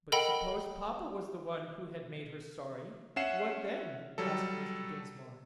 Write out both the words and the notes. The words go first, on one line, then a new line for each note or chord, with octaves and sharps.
"But suppose papa was the one who had made her sorry; what then?" asked Mr. Dinsmore.
A4 A#4 D#5 F#5 G5 B5
C#4 E5 F#5 C7 E7
F#3 G3 A4